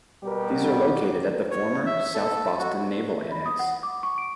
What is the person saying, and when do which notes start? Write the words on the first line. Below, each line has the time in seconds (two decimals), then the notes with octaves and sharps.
These are located at the former South Boston Naval Annex.
0.24 B2 G3 B3 G4 A#4
1.51 C#5
1.86 E5
2.14 A4
2.59 F#4
3.31 B5
3.46 D#6
3.59 F#5
3.83 D6
4.03 C#6
4.18 D7